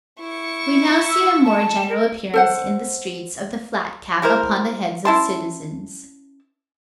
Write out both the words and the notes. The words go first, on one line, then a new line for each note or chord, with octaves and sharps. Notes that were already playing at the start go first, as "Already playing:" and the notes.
We now see a more general appearance in the streets of the flat cap upon the heads of citizens.
E4 C#6
E6
A5
A#4
A4 C5 F#5
G#3 E4 A#4 C5
C#4 E4 A5 C6